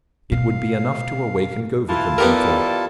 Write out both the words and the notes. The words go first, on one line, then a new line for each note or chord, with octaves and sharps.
It would be enough to awaken Govicum, he thought.
B2 F5
E3 E4 F4 A5
D#3 G3 B3 G4 A4 A#4